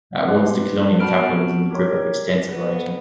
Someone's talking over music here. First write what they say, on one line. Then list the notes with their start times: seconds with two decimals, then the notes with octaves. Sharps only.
At once, the colonial capital was in the grip of extensive rioting.
0.28 G4 B4 C6
1.00 B3 F#4 A5 B5 F6 D7
1.71 G4 A#4 C#5
2.49 B3